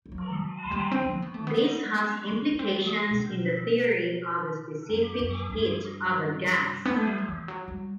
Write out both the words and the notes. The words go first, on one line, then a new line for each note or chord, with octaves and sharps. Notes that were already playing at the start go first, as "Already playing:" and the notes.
This has implications in the theory of the specific heat of a gas.
G3
F#3
G3
C4
C4
B3
A3
B3
B3
C4
B3
A3
B2
F#2
F#2
G2
B3
A3
G3
F#3
E3
F#3
G3